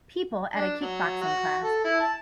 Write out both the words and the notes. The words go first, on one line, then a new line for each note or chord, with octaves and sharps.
People at a kickboxing class.
D4
F#3
F#4
A4
E4
A5